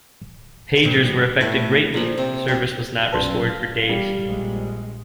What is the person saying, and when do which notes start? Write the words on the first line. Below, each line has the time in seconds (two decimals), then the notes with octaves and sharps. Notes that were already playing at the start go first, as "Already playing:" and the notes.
Pagers were affected greatly; service was not restored for days.
0.84 G2 A#2 F3
1.41 A2 A3 E4
1.94 A#2 F3 D4
2.18 C3 C5
2.48 C3 G3 D4
3.12 B1 F#2 A4 B4 D5 C6
3.49 F5
3.89 G3
4.25 A#1 G#3